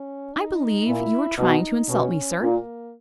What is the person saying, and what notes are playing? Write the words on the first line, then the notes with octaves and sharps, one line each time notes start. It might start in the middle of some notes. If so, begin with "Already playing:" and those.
"I believe you are trying to insult me, sir."
Already playing: C#4
D#4
A#2 E4
B2 D#4
B2 C#4
A#2 A#3